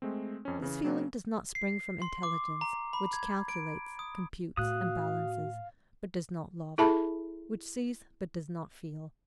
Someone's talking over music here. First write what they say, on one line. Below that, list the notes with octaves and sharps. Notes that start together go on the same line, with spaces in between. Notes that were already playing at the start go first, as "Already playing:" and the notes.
This feeling does not spring from intelligence, which calculates, computes, and balances, but does not love; which sees, but does not feel.
G#3 A3 C4
F2 C#4
C#3 E3
C#3 F#3 A#3 C4 C#4
C7
C6
D6
A#5
B5
G#6
D7
D#6
A2 F#4 F5 D#6 F#6
E4 G#4 A4 E5 A5 B5